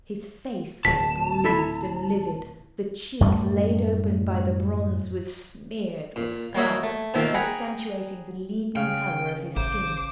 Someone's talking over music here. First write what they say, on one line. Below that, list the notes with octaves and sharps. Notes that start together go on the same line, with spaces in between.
His face was bruised and livid; the cheek laid open by the bronze was smeared with scarlet, accentuating the leaden colour of his skin.
D1 A#2 A5 B6
E4 A4 B5
F#2 A2 G3 A3
A#2
G3 A#3 F#4 C#5 D#5 E5
A3
B2 D#3 F3 A#3 C4 E5
G#4 F#5 G5 A#5 B5
C#3 F5 G5 C#6
A1 C5 D6